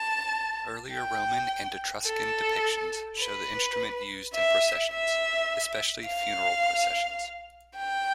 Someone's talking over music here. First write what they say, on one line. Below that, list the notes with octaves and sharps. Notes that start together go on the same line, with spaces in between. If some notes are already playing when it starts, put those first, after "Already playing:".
Earlier Roman and Etruscan depictions show the instrument used in processions, especially funeral processions.
Already playing: A5
G5
A4
B4
E5
E5
F5
G5